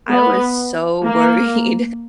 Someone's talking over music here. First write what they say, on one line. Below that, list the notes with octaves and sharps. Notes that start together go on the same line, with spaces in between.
I was so worried,
B3
A#3